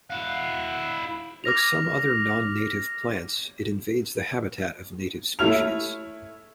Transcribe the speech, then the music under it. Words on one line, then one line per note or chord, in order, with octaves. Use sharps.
Like some other non-native plants, it invades the habitat of native species.
E4 F5 F#5
D6 F6 A#6 F7
A3 E4 C#5 F6 F7